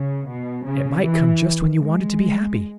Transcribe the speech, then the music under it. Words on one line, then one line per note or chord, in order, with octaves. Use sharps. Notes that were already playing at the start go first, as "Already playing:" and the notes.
"It might come just when you wanted to be happy!"
Already playing: C#3
B2
C#3
E3
G#3